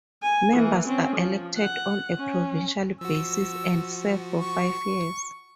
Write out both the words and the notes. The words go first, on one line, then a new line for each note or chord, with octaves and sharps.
Members are elected on a provincial basis and serve for five years.
G#5
E3 A#3
C4 C#4
F3
F#5
C#4
F3 F#4 E6
C#6